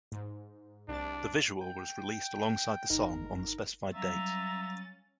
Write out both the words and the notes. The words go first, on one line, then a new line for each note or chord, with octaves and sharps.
The visual was released alongside the song on the specified date.
G#2
C2 D4 A6
G5
G1 D#4 A#4
F#3 G3 C#4 E5 F5 A#5 A6